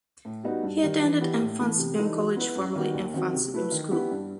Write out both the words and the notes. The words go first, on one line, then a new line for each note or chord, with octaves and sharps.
He attended Mfantsipim College formerly Mfantsipim School.
A2
G3 B3 D#4 F#4
G2
D#3 G3
E3
B3 E4 G4
A2
E3 A3
C3
E3 G3 D#4 A4
F#3
B3 E4 B4
F#2
D#3 G3 B3 F#4
D#2
D#3 F#3 C4 F#4
C3
F#3 A3 E4 B4
D#3
G3 B3 E4 G4
G2